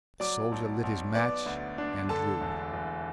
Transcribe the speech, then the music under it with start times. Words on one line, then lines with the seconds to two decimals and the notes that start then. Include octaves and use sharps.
The soldier lit his match, and drew.
0.20 F#3 D5 D6
0.52 B1
0.83 B1
1.15 B3 D5 D6
1.46 D2
1.78 D4
2.09 D3 A4 A5
2.40 E1
2.73 E1